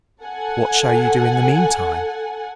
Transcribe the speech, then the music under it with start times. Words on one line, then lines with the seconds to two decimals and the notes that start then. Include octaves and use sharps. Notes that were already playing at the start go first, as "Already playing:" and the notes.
'What shall you do in the meantime?'
0.23 A4 F#5 G#5